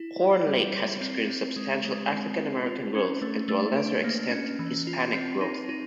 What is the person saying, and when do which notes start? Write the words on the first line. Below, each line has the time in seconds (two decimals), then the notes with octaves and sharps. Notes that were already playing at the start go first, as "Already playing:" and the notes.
Horn Lake has experienced substantial African-American growth and to a lesser extent Hispanic growth.
Already playing: E4
0.19 D5
0.47 G3
0.74 G3
1.01 C4
1.30 C4
1.56 G#3
1.85 G#3
2.12 C4
2.39 C4
2.66 F4
2.95 C#4
3.22 A3
3.48 A3
3.76 D4
4.04 A#3
4.31 C#4
4.59 E3
4.87 F4
5.14 C4
5.41 D#4
5.69 D#4